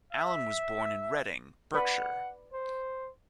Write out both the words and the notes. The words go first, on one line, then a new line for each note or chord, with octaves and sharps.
Allen was born in Reading, Berkshire.
E5
B4 D5 F#5 B5
C5